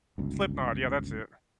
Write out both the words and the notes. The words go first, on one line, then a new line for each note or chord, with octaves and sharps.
Slipknot, yeah, that's it.
G1 C#2